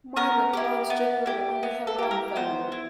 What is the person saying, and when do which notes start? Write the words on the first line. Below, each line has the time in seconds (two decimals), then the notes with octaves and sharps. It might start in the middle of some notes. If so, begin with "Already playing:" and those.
Minor clans generally only have one family.
0.16 B3 A#4
0.53 E4 G4
0.90 B3
1.26 E4 G4
1.63 B3
1.87 A4
1.99 E4 G4
2.11 A#4
2.36 B3 C5
2.72 E4